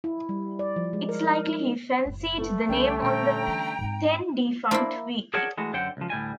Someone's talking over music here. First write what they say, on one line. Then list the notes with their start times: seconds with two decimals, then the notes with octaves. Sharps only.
It's likely he fancied the name of the then-defunct weekly.
0.04 E4
0.29 G3
0.59 D5
0.76 F3
0.93 G#3
1.09 A#4
1.24 A#4
1.47 D#4
2.05 F#1 A2
2.38 A3 B3 A4
2.69 C2 D3 G3 C#4 G5
3.01 A#2 A#3 G5 A#5
3.48 E3
3.79 G#2 C4
4.71 A#3 D4 E4 A#4 C5
5.34 G#4 A#4 C#5 D5 F#5 A5
5.57 E3 G#3 A3 F#4
5.73 F#2 D3 F#3 C5 F#5 G5
5.97 C#2 F3
6.10 D2 A2 G3 G#5